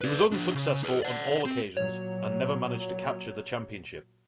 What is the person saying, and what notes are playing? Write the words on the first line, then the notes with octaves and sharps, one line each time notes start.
He was unsuccessful on all occasions, and never managed to capture the championship.
B4 D5
F3 D4
C#3
G#4 B4
D5 F#5
C4
A#2 F#3 C#5